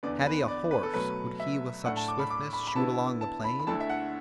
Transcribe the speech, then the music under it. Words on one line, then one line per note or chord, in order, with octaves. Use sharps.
Had he a horse, would he with such swiftness shoot along the plain?
E2 D3 B3 D5
B4
D5
B4
A4
B2 F#3 A3 B4
E5
A2 A3 D4 F#5
A5
D6
B5
D6
B5
B5
D3 B3 E4 A5
A5
B5
B5
D2 D3 A3 E4 A5
E5
F#5